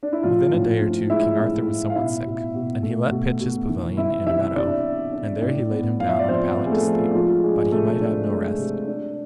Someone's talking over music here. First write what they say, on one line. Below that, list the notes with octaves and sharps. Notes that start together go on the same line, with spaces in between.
WITHIN a day or two King Arthur was somewhat sick, and he let pitch his pavilion in a meadow, and there he laid him down on a pallet to sleep, but he might have no rest.
D4
E4
A2 F3 F4
A2
A2
G#3 E4 E5
A2
A2
F5
B2 E4 E5
B2
B2
A3
B2
B2
E3
E3 E4 E5
C3 E4 E5
C3 D4 D5
D4
D4
A2
B3
F3 F5
E5
D5
F3 C4 C5
B3
G#4
A3 A4
F3
F3 G#3 F4
G#3 D4 G#4
C3 A3 A4
D4
G#3
C3
D4